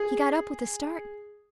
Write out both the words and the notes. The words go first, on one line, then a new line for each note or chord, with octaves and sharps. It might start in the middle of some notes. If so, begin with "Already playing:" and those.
He got up with a start.
Already playing: G#4